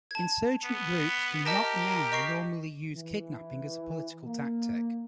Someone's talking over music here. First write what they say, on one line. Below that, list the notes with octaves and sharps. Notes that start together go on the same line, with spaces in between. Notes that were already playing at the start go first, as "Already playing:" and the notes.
Insurgent groups do not now normally use kidnapping as a political tactic.
A5 G#6
B3
G4 A#4 D#5 A5 A#6
D#5 C#6 C7
E3
A#3